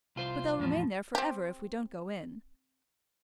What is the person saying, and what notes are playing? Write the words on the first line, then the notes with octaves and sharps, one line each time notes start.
But they'll remain there for ever if we don't go in.
C2 F4 C5
E2 A2 F3
C4 G4